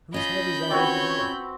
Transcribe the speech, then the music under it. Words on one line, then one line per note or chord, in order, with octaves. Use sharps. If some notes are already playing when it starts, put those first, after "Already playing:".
"Whose head is that over there?"
C#4 F4 D#5 B5 G6
C4 F#4 B4 C#5